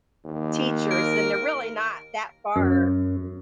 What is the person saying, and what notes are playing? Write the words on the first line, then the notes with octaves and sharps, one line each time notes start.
teachers, then they're really not that far
D#2
A#4
F#2